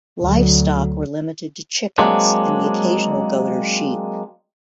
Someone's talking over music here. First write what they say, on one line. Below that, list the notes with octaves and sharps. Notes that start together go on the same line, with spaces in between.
Livestock were limited to chickens and the occasional goat or sheep.
D2 F#3
F#3 G#3 A#3 C4 D4